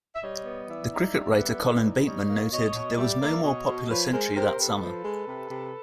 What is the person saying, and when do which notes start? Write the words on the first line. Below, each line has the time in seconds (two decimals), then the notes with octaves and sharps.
The cricket writer Colin Bateman noted, "there was no more popular century that summer".
0.15 E5
0.23 G3 C#5 D#5
0.45 B3
0.68 E3 D5 E5
0.92 D#4
1.15 G3
1.38 B3
1.61 E3
1.84 D#4
2.06 G3 C#5 D#5
2.29 A#3
2.52 B2 C#5 D#5
2.75 B2
2.98 G3 D5 E5
3.21 A#3
3.44 B2 C#5 D#5
3.67 B2
3.90 F3 B4 C#5
4.13 G#3 A#4 C5
4.36 C3 A#4 C5
4.59 C3 A4 B4
4.82 F3
5.04 G#3
5.28 C3
5.51 C3